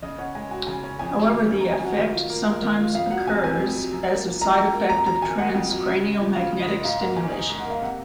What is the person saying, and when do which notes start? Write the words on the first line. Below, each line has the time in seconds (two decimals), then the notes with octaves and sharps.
However, the effect sometime occurs as a side effect of transcranial magnetic stimulation.
0.02 C#3 D#5
0.18 C#4 F#5
0.35 G#3 G#5
0.51 F#4 G#5
0.67 C#3 G#5
0.83 C#4 G#5
0.99 F2 G#5
1.16 F#3
1.32 D#3
1.48 C#4
1.61 F2 A#5
1.73 G#5
1.80 F#3 F#5
1.97 D#3
2.14 F4
2.30 A#3
2.46 A#4
2.62 D#3
2.79 F4
2.95 F2 F5
3.10 F#3 F#5
3.27 C3 G#5
3.43 C4 G#5
3.59 F2
3.76 F#3
3.93 F#2
4.09 A#3
4.25 F3
4.42 F#2 A#5
4.57 F#2
4.73 A#3
4.89 F2 A#5
5.06 F#3 A#5
5.22 D#3 G#5
5.38 A#3 F#5
5.54 F2
5.71 F#3
5.87 C#3
6.04 G#3
6.20 F3
6.35 C#3 F5
6.52 C#3
6.60 D#5
6.68 G#3
6.84 G#2 F5
7.00 A#3 F#5
7.16 D#3 G#5
7.33 D#4 G#5
7.50 G#2
7.58 F#5
7.65 A#3
7.70 F5
7.82 C3 F#5